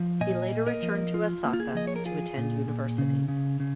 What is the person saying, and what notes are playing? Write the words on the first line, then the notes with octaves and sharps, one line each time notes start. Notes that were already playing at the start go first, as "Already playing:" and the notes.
He later returned to Osaka to attend university.
Already playing: F3
A#2 D#5 G#5
A#3
A#4 D#5
F3
F4
A#3
F4
G#4
F3 D#5
C#5
A#4
F4 G#4
A#2
A#2
C#3
C#3
C#3